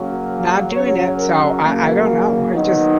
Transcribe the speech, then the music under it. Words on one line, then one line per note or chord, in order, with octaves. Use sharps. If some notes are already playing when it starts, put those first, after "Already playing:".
not doing it, so, I I don't know, I just
Already playing: C#3 F#3 A#3 C#4
C#3 F#3 C#4 C#5
A#4
C#3 F#3 A#3
D#3 F#3 B3 D#4